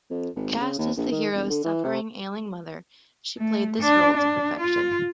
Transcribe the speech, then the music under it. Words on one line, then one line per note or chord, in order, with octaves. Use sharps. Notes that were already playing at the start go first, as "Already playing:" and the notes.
Cast as the hero's suffering, ailing mother, she played this role to perfection.
F2
G#1
C#3
D#2
A#1
D#3
E1
D3
E3
C3
A3
D4
D4
F4